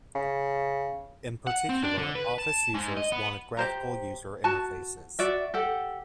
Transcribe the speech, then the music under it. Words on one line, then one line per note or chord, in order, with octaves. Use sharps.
In particular, office users wanted graphical user interfaces.
C#3
F#5
C4
D4
D3
B4
A5
G#2
D#5
B3
G4 C5 A#5
F#4 A5
F#4 D5 E5
G4 A4 F#5